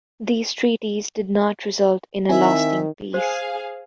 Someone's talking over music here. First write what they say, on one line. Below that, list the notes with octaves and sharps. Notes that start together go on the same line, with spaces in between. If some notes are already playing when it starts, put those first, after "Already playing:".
These treaties did not result in a lasting peace.
D#3 C4 E4 E5 G#5
G#4 C5 F5